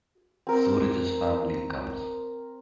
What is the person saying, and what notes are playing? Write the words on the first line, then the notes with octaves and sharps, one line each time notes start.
Suraj's family comes.
C4 A#4